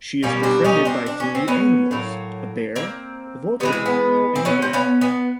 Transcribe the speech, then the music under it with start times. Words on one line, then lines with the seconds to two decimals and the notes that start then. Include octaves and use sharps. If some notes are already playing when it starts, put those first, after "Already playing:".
She is befriended by three animals: a bear, a vulture and a dog.
0.23 B2 G3 A#3 C#4
0.43 C4 D4
0.64 C#4 D#4
0.85 C4 D4
1.06 D4
1.20 C#4
1.35 C4
1.48 B3 C#4
1.91 A2 F#3 A#3
2.76 A#3 C4
3.60 C3 B3
3.63 E3 G#3
3.73 C4
3.86 B3
4.36 C4
4.45 B3 C#4
4.62 C4
4.73 B3 C#4
5.01 B3